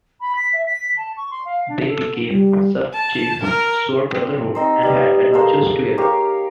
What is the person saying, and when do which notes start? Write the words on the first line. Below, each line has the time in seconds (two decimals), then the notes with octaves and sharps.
They became sub-chiefs, swore brotherhood and had adventures together.
0.21 B5
0.35 B6
0.53 E5
0.66 B6
0.97 A5
1.17 C#6
1.31 C6
1.45 F5
1.69 D4
1.86 A4
2.28 G3
2.93 A5
3.43 A#4
4.10 C4
4.55 C4 D#4 C5
4.83 G3 B3
5.34 A#3 G#4 A4 C5
5.98 A#3 G4 C#5 F5